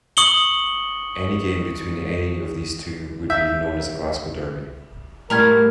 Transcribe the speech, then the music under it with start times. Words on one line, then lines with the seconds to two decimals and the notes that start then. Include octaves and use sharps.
Any game between any of these two would be known as a Glasgow derby.
0.17 C#6 D#6 C#7 F#7 G7
3.30 E5 G6
5.30 A2 G3 A#4 A#5 F6 G#6